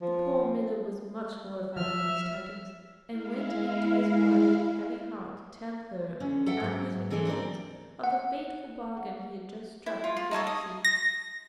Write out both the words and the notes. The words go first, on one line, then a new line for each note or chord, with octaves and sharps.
The poor miller was much horrified by these tidings, and went in to his wife with a heavy heart to tell her and his relations of the fatal bargain he had just struck with the nixy.
F3
F3 E5 F6
G#3 E4 F5
D3 C#4
A4 E5 F#5 G5
G#2 F#3
E3 G#3 D4 A4 D5
D2 C4 A#4 D5
F#5
E4
F4
F4
D#4 A4 C#5 D#5
D#6
A#6